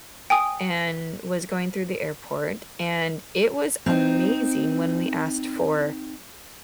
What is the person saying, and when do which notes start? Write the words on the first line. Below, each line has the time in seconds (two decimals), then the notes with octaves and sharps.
and was going through the airport, and it was amazing when we asked for
0.30 G5 G#5 D#6
3.86 C4 D#4